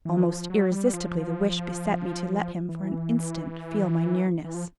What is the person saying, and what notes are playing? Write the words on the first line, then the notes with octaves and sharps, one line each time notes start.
Almost irresistibly the wish beset me to let him for an instant feel my nearness.
E3
F3
F#3
G3
F3
E3
E3
F3